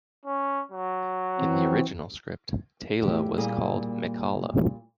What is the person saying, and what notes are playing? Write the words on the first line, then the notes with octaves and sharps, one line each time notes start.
In the original script, Teyla was called Mikala.
C#4
F#3
E3 C4
A2 G4
A#2 G3 A#3 G#4